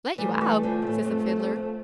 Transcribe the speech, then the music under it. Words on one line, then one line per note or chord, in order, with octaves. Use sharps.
"Let you out?" says the Fiddler.
E3 G3 A3
E3 G3
D3 F3
B2
A2
F2
F2
F2
F2